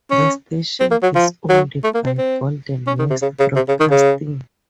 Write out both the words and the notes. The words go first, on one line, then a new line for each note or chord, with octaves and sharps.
The station is owned by Golden West Broadcasting.
C#4
C4
A#3
F#3
F3
F#3
A3
A#3
C4
C4
C#4
D#3
C3
C#3
C#3
C3
C#3
D#3
C#3